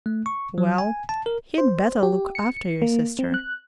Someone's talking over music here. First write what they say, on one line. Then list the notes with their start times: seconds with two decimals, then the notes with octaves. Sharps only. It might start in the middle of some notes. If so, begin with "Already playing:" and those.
Well, he'd better look after your sister!
0.06 A3
0.26 C#6
0.58 F#3
0.78 G#5
1.09 A5
1.26 A#4
1.58 C5
2.03 G4
2.35 C#7
2.82 A#3
3.19 C4
3.34 F#6